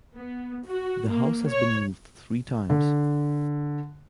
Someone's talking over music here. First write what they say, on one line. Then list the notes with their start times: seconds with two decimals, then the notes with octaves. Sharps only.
The house has been moved three times.
0.15 B3
0.66 F#4
1.08 A#3
1.50 C#5
2.70 D3